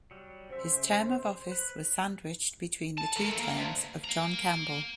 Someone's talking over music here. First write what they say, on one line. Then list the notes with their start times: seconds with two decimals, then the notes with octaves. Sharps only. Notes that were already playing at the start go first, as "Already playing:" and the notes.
His term of office was sandwiched between the two terms of John Campbell.
0.11 F#3 G3
0.50 C#3 C5 E5
1.52 B4
2.98 A5
3.16 A#3 A4
3.40 A#3
3.56 D2
4.04 F5 A#5